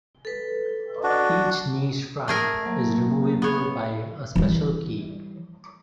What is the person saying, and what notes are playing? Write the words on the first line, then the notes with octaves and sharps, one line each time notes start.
Each niche front is removable by a special key.
A4 B4
D4 F#4
A3 G#4 A#4
F#3 A#3
B3 C#5
E3 G3